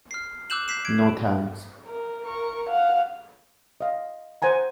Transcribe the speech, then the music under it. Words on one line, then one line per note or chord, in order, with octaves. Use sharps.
No, thanks.
F6 C7
D6 E6 F#6 G6 E7 F#7
G6 B6 C7 E7
G#6 D7
A#4
A#4 C#6
F5 F#5
D#5 F5
C5 F#5 G#5 A#5